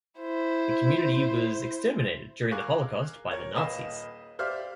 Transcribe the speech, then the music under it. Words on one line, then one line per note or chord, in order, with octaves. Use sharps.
The community was exterminated during the Holocaust by the Nazis.
E4 C5
G#4 A#4 F5 C#6 D6 F#6
A#4 C#5
D#1 B4 D#5 F5 E7
G4 C5 D5 E5 F5 F6